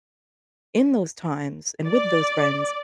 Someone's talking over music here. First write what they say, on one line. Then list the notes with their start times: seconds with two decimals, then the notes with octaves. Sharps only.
in those times, and with those friends,
1.88 D5